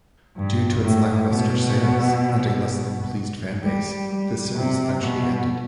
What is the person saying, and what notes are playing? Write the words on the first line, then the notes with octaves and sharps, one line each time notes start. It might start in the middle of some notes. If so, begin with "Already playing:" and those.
Due to its lackluster sales and a less-than-pleased fanbase, the series eventually ended.
G2
A2
B2
G3
G3
C3
B2